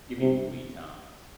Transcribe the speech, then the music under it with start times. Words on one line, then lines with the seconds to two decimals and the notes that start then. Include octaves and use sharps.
Gimme movie times.
0.20 C3